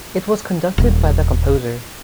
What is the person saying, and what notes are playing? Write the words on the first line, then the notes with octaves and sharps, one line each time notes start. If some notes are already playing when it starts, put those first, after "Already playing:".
It was conducted by the composer.
D#1